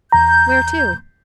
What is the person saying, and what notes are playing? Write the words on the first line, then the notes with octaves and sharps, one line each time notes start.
"Where to?"
E2 A#5 G6